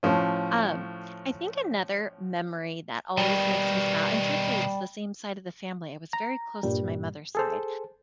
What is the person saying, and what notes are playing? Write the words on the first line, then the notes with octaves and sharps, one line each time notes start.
Um, I think another memory that always makes me smil and truthfully, it's the same side of the family, I was very close to my mother's side,
A2 F3 C#4
B2 D#3 G3
A#5
G2 A#2 G3
G#4 A4 C5